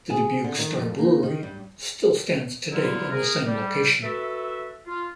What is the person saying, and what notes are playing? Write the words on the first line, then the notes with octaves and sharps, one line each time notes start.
The Dubuque Star Brewery still stands today in the same location.
G#4
D3
D#3
F2
A#3
D#3
G2
D3 F#3 G3 B3 E4 F4
G#4 A#4
G3
F#4 A4 B4 E5
F4